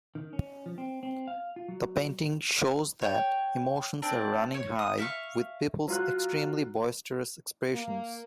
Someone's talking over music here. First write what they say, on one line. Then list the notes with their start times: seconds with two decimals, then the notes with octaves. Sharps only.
The painting shows that emotions are running high, with people's extremely boisterous expressions.
0.15 D#3
0.33 C#4
0.66 F3
0.78 C4
1.03 C4
1.28 F5
1.56 F4
1.68 F#3
3.02 C#5 G5
4.02 C4 D4
4.54 C#5
4.79 D#6
4.98 E5 F5 C#6
5.88 F#3 F4 F#6
7.73 A#3